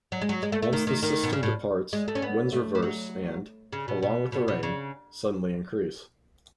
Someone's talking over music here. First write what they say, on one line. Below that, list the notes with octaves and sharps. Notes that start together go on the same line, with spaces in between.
Once the system departs, winds reverse and, along with the rain, suddenly increase.
F#3
G#3
F#3
G#3
A3
A3
D#3
D#3
D#3
B2
C#3
A2
G#3
A3
C#4
B3
A3
E3
F#3
C#3
B2
B2
B2
B2
C#3